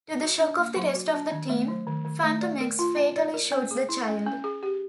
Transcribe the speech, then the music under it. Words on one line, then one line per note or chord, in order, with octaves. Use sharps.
To the shock of the rest of the team, Fantomex fatally shoots the child.
F#4
D4
A#3
F#3
F#4
D4
D#3
A3
F#3
D#3
D#3
A3
D5
A#4
F4
C#4
D5
A#4
C#4
G#4
E4
C#4
C#4
G#4
G4